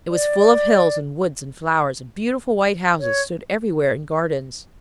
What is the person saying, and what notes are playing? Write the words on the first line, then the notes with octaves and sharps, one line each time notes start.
It was full of hills and woods and flowers, and beautiful white houses stood everywhere in gardens.
D5
C#5